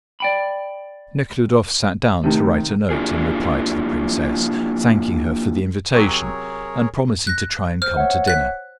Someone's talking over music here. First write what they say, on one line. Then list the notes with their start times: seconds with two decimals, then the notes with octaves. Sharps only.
Nekhludoff sat down to write a note in reply to the princess, thanking her for the invitation, and promising to try and come to dinner.
0.20 D5 G5 B5
2.24 C3 D#3 A3
2.90 A#3 D4 E4 F4 G4 G#4
5.94 C3 F#3 G#4 A#4 C#5
7.27 F#6 A#6
7.82 C5 F6
7.97 C#5 E5 F#5
8.27 F#6 B6